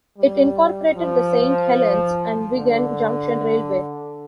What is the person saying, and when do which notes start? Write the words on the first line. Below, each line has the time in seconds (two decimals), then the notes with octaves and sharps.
It incorporated the Saint Helens and Wigan Junction Railway.
0.18 G3
0.96 F3
2.53 D3